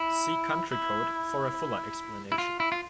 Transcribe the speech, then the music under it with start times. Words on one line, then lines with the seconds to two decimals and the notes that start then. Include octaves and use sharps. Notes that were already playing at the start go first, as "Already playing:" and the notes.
See country code for a fuller explanation.
Already playing: E4
0.71 E4
2.32 E4
2.38 F4
2.60 E4
2.72 F4